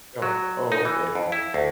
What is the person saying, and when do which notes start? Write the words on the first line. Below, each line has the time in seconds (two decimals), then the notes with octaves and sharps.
Oh oh, okay.
0.22 F#3
0.72 D#4
0.85 E3
1.15 F2
1.32 E4
1.54 D2